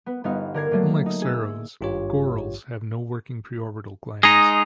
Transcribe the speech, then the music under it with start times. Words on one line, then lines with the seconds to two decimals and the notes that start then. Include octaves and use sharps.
Unlike serows, gorals have no working preorbital glands.
0.06 B3 B4
0.24 G1 B3 D#4 F5
0.54 D3 A#4 G#6 C7
0.71 D3 F#3 A3 A#3
1.06 D#4
1.22 G#4 E6
1.81 G#1 G2 F4 G4 C#5
4.23 G#3 D#4 D#6